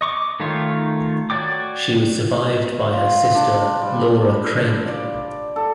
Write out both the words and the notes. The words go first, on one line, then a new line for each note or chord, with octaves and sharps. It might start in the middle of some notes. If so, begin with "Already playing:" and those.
She was survived by her sister Laura Kramer.
D#5 C#6 D6
D#3 A3 D#4 F4 C#5
F#4 C#5 D5 G5 D6
F4
D4
G3
D5
A4